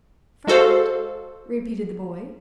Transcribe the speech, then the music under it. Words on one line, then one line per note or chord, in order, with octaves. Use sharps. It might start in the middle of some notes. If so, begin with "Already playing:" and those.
'Frightened?' repeated the boy.
G#3 F#4 A4 C5 F5